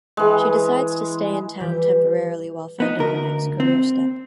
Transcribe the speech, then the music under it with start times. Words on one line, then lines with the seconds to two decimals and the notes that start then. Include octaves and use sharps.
She decides to stay in town temporarily while finding her next career step.
0.17 E3 G#3
1.60 E3 G3 G4 G6
2.80 B3 D#4
2.99 D2 A#4
3.60 C4